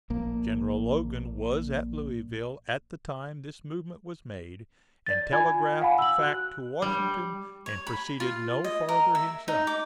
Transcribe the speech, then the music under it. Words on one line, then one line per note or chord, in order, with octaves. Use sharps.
General Logan was at Louisville at the time this movement was made, and telegraphed the fact to Washington, and proceeded no farther himself.
A#1 A#3
D5 A6
F4 G#5 B5 G#6
F5 F#5 G#5 B5
E6 F#7
F#4 F#6
G3
C#5
B5
F4
D#5
A#4
E5
D#4
D6